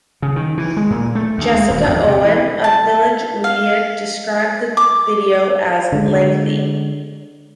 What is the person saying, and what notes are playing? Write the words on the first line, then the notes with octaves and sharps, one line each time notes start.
Jessica Owen of Village Media described the video as "lengthy".
C#3
D#3
E3
G#3
A#2
A3
D2
G#3
D#1
E2
C3
E3
A5
F5
D6
D3 G#3